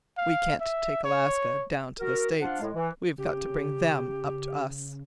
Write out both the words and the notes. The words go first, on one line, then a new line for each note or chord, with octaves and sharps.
We can't take Alaska down to the States--we've got to bring them up to us.
F5
E5
C#5
F#4 A#4
F3 D4 F4 F5 F#5
A2 G#3
E3
C#3 G4